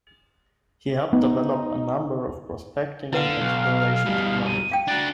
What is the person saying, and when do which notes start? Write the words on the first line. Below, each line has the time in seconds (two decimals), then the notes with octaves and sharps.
He helped develop a number of prospecting and exploration technologies.
1.13 B3 D#4
3.13 D3 E4 B4 F5 F#5
3.40 B1
4.06 G2 B2
4.46 D#7
4.72 F5 G5
4.88 D4 F#4 A6